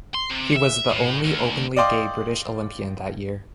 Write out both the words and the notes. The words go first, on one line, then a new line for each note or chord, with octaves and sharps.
He was the only openly gay British Olympian that year.
C6
C3
E5
A2
D2
D5 D#5 F5 G5 C6 D6